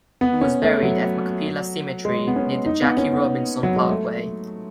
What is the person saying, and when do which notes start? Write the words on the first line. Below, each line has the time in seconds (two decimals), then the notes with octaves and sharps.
He was buried at Machpelah Cemetery near the Jackie Robinson Parkway.
0.21 B3
0.41 C#4
0.62 A3
0.83 F#3
2.05 G#3
2.27 B3
2.36 C#4
2.66 D#4
2.82 B3
2.97 C#4
3.13 B3
3.63 F#3
3.76 G#3
3.89 A3